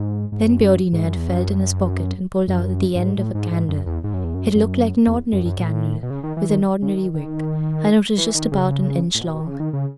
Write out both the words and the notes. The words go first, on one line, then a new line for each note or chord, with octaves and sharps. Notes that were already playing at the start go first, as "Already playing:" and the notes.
Then Beardy Ned felt in his pocket and pulled out the end of a candle. It looked like an ordinary candle, with an ordinary wick, and it was just about an inch long.
Already playing: G#2
G#2
F#2
G#2
F#2
E2
F#2
F#2
F#2
G#2
A2
G#2
G#2
F#2
E2
G#2
F#2
E2
F#2
F#2
E2
F#2
F#2
A2
B2
C#3
D#3
E3
D#3
C#3
D#3
D#3
E3
D#3
C#3
A2
B2
B2
D#3
C#3
D#3
C#3